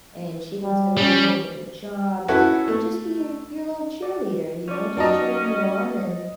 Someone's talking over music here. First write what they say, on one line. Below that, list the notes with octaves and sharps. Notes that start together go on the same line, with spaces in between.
and she can tell you you're doing a good job and just be your your little cheerleader, you know, just cheering you on, and
G3
G3 C#4
C#4 E4 F#4 A4 B4
A3
D5
C#4 F4 D5
F#3 D#4 F#4 G4 D5 D#5 A5 A#5